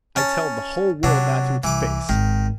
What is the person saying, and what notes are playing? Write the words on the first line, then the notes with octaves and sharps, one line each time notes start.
I tell the whole world that to its face!
C#4 A5
C3 F#3 D4
C2 E3 D6
G#1 D#3